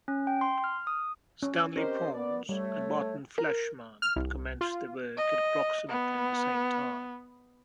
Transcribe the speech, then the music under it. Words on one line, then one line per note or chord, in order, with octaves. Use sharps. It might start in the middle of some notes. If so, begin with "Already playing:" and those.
Stanley Pons and Martin Fleischmann commenced their work at approximately the same time.
C#4
G5
C6
F6
D#6
C#4
C4 C#4 G4 A#4 C5 D#5
B3 D5
G3 A3 C#5
A#4
F6
C2
F4
D#5
B3